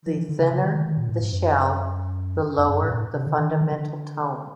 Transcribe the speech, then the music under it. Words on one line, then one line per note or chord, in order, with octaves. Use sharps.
The thinner the shell, the lower the fundamental tone.
F3
E3
D3
C#3
C#3
D#3
D#3
D#3
A#2
A2
G#2
F#2
F2
F#2
G#2
A#2
A2
C3
D3
D#3
D#3
E3
D3